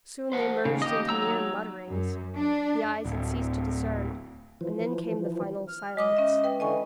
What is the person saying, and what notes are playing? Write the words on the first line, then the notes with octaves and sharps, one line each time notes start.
Soon they merged into mere mutterings; the eyes had ceased to discern; and then came the final silence.
C5 F#5 A5
C#3 A#3 D#4
G4 D#5
F#3 A#5 E6
F#2
D4
D1
E3 F3
F6
G#3 D#5 D6 D#6
C#4 E5
B4 G5
D3 E3 D#5 G#5 C#6